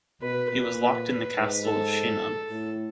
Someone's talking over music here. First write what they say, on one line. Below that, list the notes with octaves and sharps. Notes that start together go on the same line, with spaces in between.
He was locked in the castle of Chinon.
B2 B4
A#2 B4
G#2
A4
A2